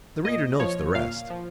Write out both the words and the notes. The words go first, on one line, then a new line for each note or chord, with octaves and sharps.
The reader knows the rest.
A#2 D#5
F3 C#5
A#2 F5
F3